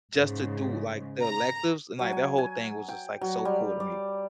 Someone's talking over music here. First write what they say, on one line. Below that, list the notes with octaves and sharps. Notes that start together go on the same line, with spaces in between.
just to do, like, the electives. And, like, that whole thing was just, like, so cool to me.
G#2 C#3
A#5
F#3
G#5
G#5
G5
F#3
G3
D5